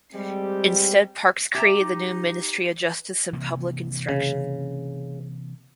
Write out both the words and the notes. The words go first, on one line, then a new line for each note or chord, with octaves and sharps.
Instead Parkes created the new ministry of justice and public instruction.
G3 G#3 C4 G4
G4 E5 A#5
D#4
E3
C3 E3 A#3
C#3